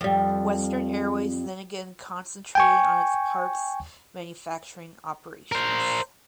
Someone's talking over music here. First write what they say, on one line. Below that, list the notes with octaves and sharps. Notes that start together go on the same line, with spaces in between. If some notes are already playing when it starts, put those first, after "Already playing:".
Western Airways then again concentrated on its parts manufacturing operations.
F2 G3
G5 G#5 C#6
A#4 C5